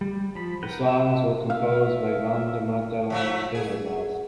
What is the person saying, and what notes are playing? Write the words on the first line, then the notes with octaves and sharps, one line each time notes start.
The songs were composed by Vandemataram Srinivas.
G3
F3 B5
A#4 B4 F#5 G5
E5
E5 F5
F3 F#3 A3
G#4